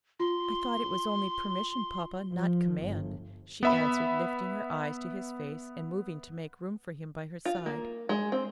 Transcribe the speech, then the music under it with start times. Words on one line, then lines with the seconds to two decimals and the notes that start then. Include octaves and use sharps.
"I thought it was only permission, papa, not command," she answered, lifting her eyes to his face, and moving to make room for him by her side.
0.20 F4 C6
2.32 F3
2.81 G1
3.63 B3 E5 B5
7.45 F4
7.66 A#3
8.09 G#3
8.32 C4